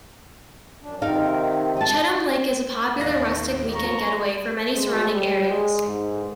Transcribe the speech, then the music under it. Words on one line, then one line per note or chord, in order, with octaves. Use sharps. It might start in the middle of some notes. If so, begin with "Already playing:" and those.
Cheatham Lake is a popular rustic weekend getaway for many surrounding areas.
F#2 D4
C3 D#3 C4 D#4 A#4 F5
D#5 A5
D#2 A2 D#4 F5 A#6
A#5 C#6
G#3
G3
G#3
G#2